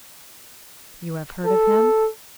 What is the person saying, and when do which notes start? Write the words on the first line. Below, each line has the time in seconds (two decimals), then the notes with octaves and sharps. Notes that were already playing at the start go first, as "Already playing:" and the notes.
You have heard of him?
1.46 A4